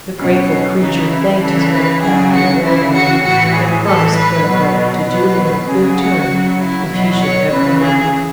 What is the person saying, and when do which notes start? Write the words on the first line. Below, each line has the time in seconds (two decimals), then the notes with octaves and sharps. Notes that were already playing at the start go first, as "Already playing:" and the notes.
The grateful creature thanked his benefactor warmly, and promised Ferko to do him a good turn if he should ever need it.
0.18 B2 F#3 C#4
0.79 C#3 E3 D#4
1.09 E4
1.40 C#3 E3 A4
1.71 B4
2.01 C#3 F#3 G#4
2.31 F#4
2.62 C#3 E3 E4
2.93 F#4
3.23 A2 E3 F#4
3.54 G#4
3.84 A2 E3 A4
4.15 B4
4.45 B2 F#3
5.06 B2 F#3 B4
5.67 C#3 F#3 G#4
5.98 F#4
6.29 C#3 F#3
6.59 E4
6.89 B2 F#3
7.20 C#5
7.50 C#3 E3 B4
7.81 G#4